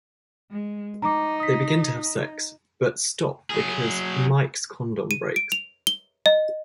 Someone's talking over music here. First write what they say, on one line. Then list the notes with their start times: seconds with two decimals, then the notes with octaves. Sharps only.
They begin to have sex, but stop because Mike's condom breaks.
0.51 G#3
1.02 D#4 A#5 D6
1.40 D#6 B6
3.50 F#3 G#4
5.11 D#7
5.36 D7
5.52 F7
5.87 G7
6.26 D#5